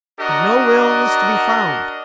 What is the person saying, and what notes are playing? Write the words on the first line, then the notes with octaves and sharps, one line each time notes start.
But no will was to be found.
D4 F#4 A#4 D#5